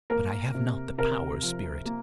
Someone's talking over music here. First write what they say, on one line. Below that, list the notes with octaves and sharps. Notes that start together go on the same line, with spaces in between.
But I have not the power, Spirit.
A#3 A#4
C3
C3 A#4
F3
A#3